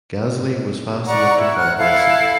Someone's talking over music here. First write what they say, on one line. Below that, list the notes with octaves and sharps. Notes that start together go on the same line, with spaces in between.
Gasly was fast enough to qualify sixth.
D5 F#5 A#5 C#6
E4
F#5 F6 F#6
E4 A4 F5